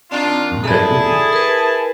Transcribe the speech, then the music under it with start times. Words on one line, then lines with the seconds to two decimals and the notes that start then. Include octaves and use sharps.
Okay, cool.
0.11 D#3 C4 D4 F4
0.64 E4 G#4 A4 D5 A5
1.33 A#4 B4